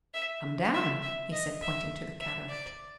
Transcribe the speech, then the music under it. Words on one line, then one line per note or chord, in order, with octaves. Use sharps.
"Come down," he said, pointing to the cataract.
E5
E5
E5
D#5
E5
E5
D5